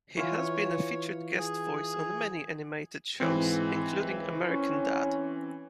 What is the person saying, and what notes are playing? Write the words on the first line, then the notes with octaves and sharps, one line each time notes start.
He has been a featured guest voice on many animated shows, including American Dad!
E3 F4 C#5
G#4
G#2 E3 C4
C#2
C#4